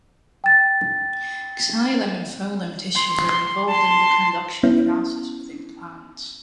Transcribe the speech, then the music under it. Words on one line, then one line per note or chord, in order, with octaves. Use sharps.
Xylem and phloem tissues are involved in the conduction processes within plants.
G5 A6
C6
A5 C6
B3 C#4 E4